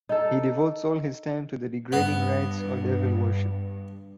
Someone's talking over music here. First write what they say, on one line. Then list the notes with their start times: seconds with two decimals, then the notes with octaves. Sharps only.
He devotes all his time to the degrading rites o devil-worship.
0.09 D#4 A4
1.92 G2 B3